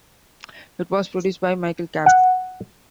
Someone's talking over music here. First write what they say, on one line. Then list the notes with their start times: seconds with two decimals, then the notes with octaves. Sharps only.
It was produced by Michael Kapp.
2.06 F#5